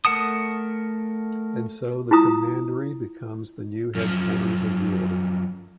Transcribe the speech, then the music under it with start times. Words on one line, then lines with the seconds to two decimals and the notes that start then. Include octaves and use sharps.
And so the commandery becomes the new headquarters of the order.
0.05 A3 A#4 F#5 A5 D#6
2.11 E4 F4 A#5 D#6
3.95 F#2 F3